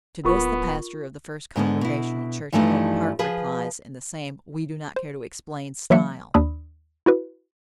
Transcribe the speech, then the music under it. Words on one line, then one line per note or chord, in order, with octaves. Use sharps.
To this the pastor of the First Congregational Church of Oak Park replies in the same we-do-not-care- to-explain style.
D1 B3 F4 A#4 C#6
G#2 D3 G#3 B3
B2 E4
G2 E3 F3 G3 A3 D#4
F3 G#4 B4
C5
E3 F#3 A#3 E5 C#7
D#2 D4 D5 B5 D#6 E6
E4 F#4 B4